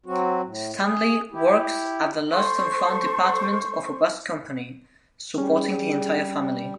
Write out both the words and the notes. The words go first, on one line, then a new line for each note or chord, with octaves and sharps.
Stanley works at the lost-and-found department of a bus company, supporting the entire family.
F#3 C4 F#4
A2
G#4
E4 G4
A4 C5 C#6
G3 C#4 G#4